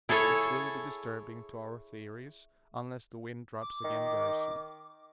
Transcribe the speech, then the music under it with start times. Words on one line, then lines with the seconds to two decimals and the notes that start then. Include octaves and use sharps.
This will be disturbing to our theories unless the wind drops again very soon.
0.09 E4 G#4 A4 C#5
3.61 D6
3.84 D#3